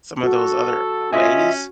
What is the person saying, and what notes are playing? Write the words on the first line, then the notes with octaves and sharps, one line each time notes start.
some of those other ways,
F#4 A4
C#4 F4 D#5 E5 G#5